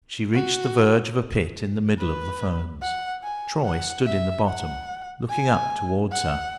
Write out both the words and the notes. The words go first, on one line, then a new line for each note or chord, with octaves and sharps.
She reached the verge of a pit in the middle of the ferns. Troy stood in the bottom, looking up towards her.
F#4
B4
F#5
G#5
F#5
E5
F#5
G#5
F#5